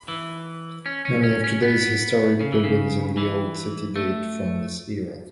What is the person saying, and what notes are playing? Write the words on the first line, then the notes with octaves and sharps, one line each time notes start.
Many of today's historic buildings in the Old City date from this era.
E3
C#4
C#4
C#4
C#4
B3
C#3
E3
C#3
E3
A3